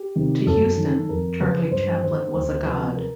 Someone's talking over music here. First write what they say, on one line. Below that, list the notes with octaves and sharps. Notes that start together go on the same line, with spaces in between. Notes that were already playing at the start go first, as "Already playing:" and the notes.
To Huston, Charlie Chaplin was a god.
Already playing: G4
C3 D#3
F#2 A4
D#3
F2 A#4
C#3 F3 B4
G2 C5
D#3 C5
D2 C5
C3 F3 B4
A#4